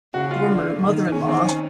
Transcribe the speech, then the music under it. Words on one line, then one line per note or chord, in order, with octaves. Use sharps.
former mother-in-law
C#3 F#4
F4
D3
D#3
D#3 C#4
C4
C#4